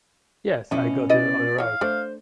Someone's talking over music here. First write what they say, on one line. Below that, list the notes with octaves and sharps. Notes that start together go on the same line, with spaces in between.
Yes, I got it all right.
B2 F3 C#4 D4 E4 G#5
E4 B4 D5 D#5
E3 C#5 F5
A3 D4 C5